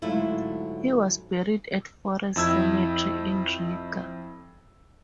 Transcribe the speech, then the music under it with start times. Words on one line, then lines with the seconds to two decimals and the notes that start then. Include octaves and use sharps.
He was buried at Forest Cemetery in Riga.
0.02 G#2 D3 F#3 A3 E4 F4
2.36 F2 E4 E6 G#6